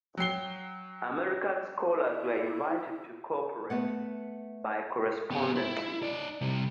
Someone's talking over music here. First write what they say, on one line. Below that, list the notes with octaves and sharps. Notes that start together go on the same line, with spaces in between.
American scholars were invited to co-operate, by correspondence.
F#3 G5 C7 G7
E4
A3 B3 F#5
B3 G4
E4
D#4 D5
C3 G3